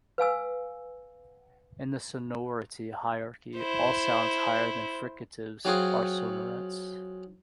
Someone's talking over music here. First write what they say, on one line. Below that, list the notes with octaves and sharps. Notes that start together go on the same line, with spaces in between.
In the sonority hierarchy, all sounds higher than fricatives are sonorants.
B4 F5 G#5 E6
E4 C5
F#3 C4 F4 F#4 G#4